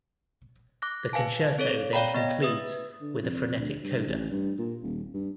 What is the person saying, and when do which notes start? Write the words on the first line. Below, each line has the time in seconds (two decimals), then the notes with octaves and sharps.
The concerto then concludes with a frenetic coda.
0.82 D6 F#6 A#6
1.13 B4 F5 G#5 A5
1.58 C4 A4 C#5
1.93 C#5 D5 F5 G5 A#5 B5
2.14 B3 D#5 A#6
2.43 B4 E5 D#6
3.02 D3
3.22 F2
3.59 D2
3.83 G2
4.07 A1
4.31 G2
4.59 A#2
4.83 D#1
5.14 G2